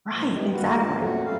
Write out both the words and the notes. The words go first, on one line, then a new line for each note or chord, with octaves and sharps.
Right, exactly.
A#2 F3
E3 G#3 G4
G2 D#3 A#3 F#4 G4 B4
G2 F4 A5
A#2 A3 C4 C#4 F#4
G#2 F#3 G3 A3 A4 F5